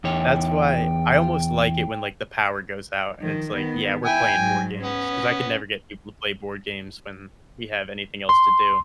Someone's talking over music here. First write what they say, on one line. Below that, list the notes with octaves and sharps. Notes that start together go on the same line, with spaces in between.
That's why I almost like it when like, the power goes out, and it's like, yeah, we're playing board games, 'cause I could never get people to play board games when we have anything else to do.
E2 C#5 G5
D#3 F3
D#3 B3
E4 G5 G#5
G#2 F#3
B3 C#4
C6